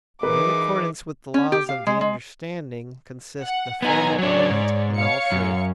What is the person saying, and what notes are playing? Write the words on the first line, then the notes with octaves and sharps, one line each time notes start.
But in accordance with the laws of the understanding consists the formal element in all truth.
E3 D#4 G#4 A#4 B4 D6
C#4
G4
F5
G#3
G#3
F#5
B3 D#4 G#5 A#5
F#3 D4 C#5 D5
G#2
C#5 F5 C#7
F#2